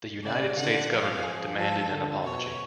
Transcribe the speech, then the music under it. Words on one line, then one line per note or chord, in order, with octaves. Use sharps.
The United States government demanded an apology.
C#3 D5
D3 F#5
F3 F5
F3 G#4
F3 A4
D3
B2 C#5